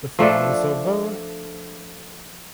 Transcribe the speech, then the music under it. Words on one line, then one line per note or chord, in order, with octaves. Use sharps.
The flowers of var.
F3 A3 D4 A4